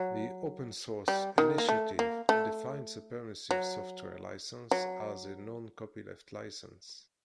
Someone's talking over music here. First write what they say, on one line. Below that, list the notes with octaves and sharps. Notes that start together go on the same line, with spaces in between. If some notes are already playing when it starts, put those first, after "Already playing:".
The Open Source Initiative defines a permissive software license as a "non-copyleft license".
Already playing: F#3
G3
D#3
A#3
A3
A#3
A3
F#3
F#3